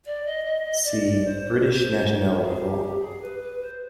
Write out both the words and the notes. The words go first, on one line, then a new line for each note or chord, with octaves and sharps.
See "British nationality law".
D5
D#5
D#5
D#5
D5
D5
C5
C5
G#4
G4
G4
G#4
B4
B4
C5